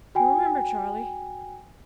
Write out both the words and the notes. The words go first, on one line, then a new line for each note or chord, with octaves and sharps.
You remember, Charley?'
F#4 G5 G#5